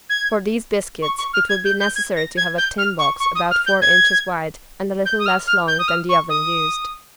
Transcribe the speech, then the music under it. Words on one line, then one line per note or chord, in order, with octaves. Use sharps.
For these biscuits it would be necessary to have a tin box about four inches wide and a little less long than the oven used.
G#6
C#6
C#6
F6
G#6
G6
G6
G#6
A#6
G#6
G6
F6
C#6
C#6
D#6
F6
G6
G#6
G6
D#6
F6
F6
G6
D#6
F6
C#6
D#6